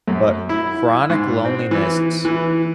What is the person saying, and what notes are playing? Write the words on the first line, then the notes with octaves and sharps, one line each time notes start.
But chronic loneliness
F#2
E4
G#2
C4
E3
E3